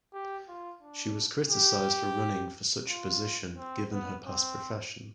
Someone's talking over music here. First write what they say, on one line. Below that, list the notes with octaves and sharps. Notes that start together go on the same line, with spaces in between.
She was criticized for running for such a position, given her past profession.
G4
F4
D4
G4
F4
C4
B3
C4